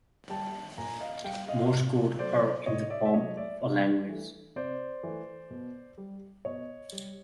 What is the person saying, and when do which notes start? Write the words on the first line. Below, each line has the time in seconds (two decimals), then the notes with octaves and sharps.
Morse Code or in the form of a language.
0.29 G3 G5 A5
0.77 A#2 G#5 A#5
1.01 D#5 F5
1.24 G3 F5 G5
1.48 D#5 F5
1.72 A2
2.19 F#3 A3 C5 D5
2.66 A2 C#5 D#5
2.90 D5 E5
3.05 E5
3.14 F#3 A3 C#5 D#5
3.37 D5 E5
3.61 C3
4.08 E3 A3
4.56 C3 C5 D5
5.03 E3 A3
5.51 B2
5.98 G3
6.45 B2 C#5 D#5
6.92 G3